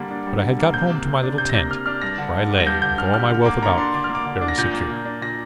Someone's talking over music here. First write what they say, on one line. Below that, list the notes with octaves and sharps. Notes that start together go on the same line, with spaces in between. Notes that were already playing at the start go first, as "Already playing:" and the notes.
But I had got home to my little tent, where I lay, with all my wealth about me, very secure.
Already playing: D3 G3 A#3 D4
D4
G3
D3
A#3
C3 G6
A#3
C3
D4
C3 G6
A#6
A#3 G6
C3 F6
D4 F6
G2 A#6
D3
G2
G3
A#6
G2 G6
D3 G6
G2 F6
G3 F6
D3
A#3 D6
D3 A#5
D4 C6
D3 D6
F6
A#3
D6
D3
D4
A#6
A#2 G6
A#3
A#2
D4
A#2 A#6